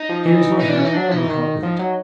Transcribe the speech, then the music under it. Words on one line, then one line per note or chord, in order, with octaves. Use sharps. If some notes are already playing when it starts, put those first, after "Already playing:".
Here is my hand, and my heart with it.
Already playing: D#4
F3
E3
D#4
D4
C#4
D#4
F#3 D4
F3 D#4
E3
D#3
F3
F#3